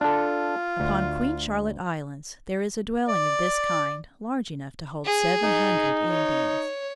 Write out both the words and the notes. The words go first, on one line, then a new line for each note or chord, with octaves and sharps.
Upon Queen Charlotte Islands there is a dwelling of this kind large enough to hold seven hundred Indians.
D4 F4 A4
D2
D5
G#4
D#4
C#5